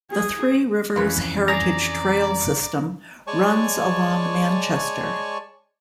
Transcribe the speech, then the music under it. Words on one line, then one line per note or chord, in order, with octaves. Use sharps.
The Three Rivers Heritage Trail System runs along Manchester.
G#4
F2 E3 C#4 F4 B4
G#4 D5 A#5
G#3 C#5 D5 G#5 A5 C#6